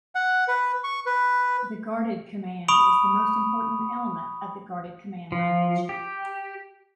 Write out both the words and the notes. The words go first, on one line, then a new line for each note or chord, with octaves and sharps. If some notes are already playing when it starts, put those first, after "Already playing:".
The guarded command is the most important element of the guarded command language.
F#5
B4
C#6
B4
B5 C#6 D#6 D7 F7
F3
G4